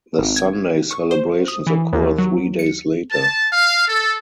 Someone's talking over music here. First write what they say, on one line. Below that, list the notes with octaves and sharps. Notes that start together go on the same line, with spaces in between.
The Sunday celebrations occur three days later.
G#1
G#6
C#6
C5
D#6
E3
D#2
F#3
C#7
A5
F5
A4